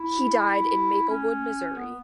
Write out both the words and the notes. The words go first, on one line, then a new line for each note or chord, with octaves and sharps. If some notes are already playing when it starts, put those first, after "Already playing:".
He died in Maplewood, Missouri.
Already playing: E4
C#4
B3